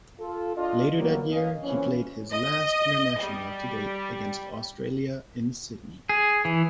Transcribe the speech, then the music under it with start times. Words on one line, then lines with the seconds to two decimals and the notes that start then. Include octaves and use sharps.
Later that year, he played his last international to date against Australia, in Sydney.
0.20 F4 A4
0.56 D4 F4 D#5
0.98 F#3 G3 A#3 B3
1.30 A#3 C#4 D#5 F5
1.63 E3 F3 A#3 C4 C#4
2.32 D#5
3.21 G3
6.09 G#4
6.45 E3